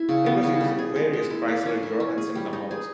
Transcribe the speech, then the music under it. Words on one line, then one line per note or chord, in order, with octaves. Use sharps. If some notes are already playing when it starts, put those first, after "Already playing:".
It was used in various Chrysler Europe and Simca models.
Already playing: E4
C#3
B3
C#3
G3
G#4
G#3
G#3
E4
A#3
C#4
E4
C#4
G#4
G3
D#4
G#4